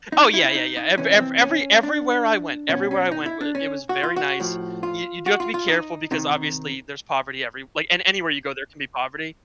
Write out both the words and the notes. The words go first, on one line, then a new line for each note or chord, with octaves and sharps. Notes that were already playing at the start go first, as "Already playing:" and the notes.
oh yeah, yeah, yeah, ev ev every everywhere I went everywhere I went, w it was very nice. You you do have to be careful, because obviously, there's poverty everywh like, and anywhere you go, there can be poverty,
D#4
E4
E4
D#4
D#4
C3 E3 C#4
C4
C#4
D4
B2 C#4
C#4
D#4
E4
D4
C#4
F#4
F4
F#4
A2 F3
F4
F#4
F4
F4
D#4
C3 D#3 D#4